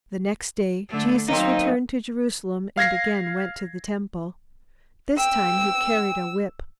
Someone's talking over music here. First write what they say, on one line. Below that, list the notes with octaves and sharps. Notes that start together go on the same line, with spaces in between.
The next day Jesus returned to Jerusalem and again went to the Temple. This time he carried a whip.
D3 A3
D#3 F#3 A#3 C4 D#4
F5 G#6 A#6 C7
G5 E6